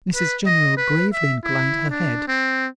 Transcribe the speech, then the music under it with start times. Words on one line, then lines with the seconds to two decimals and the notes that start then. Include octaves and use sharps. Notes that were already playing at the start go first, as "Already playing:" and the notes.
Mrs General gravely inclined her head.
0.15 B4
0.46 D#5
0.77 B4
1.13 E5
1.44 E4
1.90 D4
2.28 C4